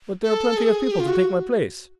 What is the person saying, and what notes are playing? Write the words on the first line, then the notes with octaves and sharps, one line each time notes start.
But there are plenty of people to take my place.
A4
G#4
G4
F4
F#4